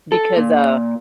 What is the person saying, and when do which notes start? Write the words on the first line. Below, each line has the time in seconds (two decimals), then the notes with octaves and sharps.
Because, uh
0.12 A4
0.37 A#2